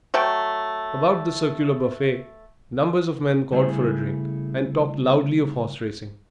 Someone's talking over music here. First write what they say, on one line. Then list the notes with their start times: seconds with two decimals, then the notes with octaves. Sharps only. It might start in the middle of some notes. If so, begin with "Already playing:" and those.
About the circular buffet numbers of men called for drink, and talked loudly of horse-racing.
0.14 F#3 A3 F#5 G5
3.52 C#3 G3 A3 E4 G#4